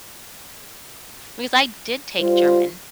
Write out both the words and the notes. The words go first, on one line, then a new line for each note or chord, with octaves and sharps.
because I did take German
G3 F4 C5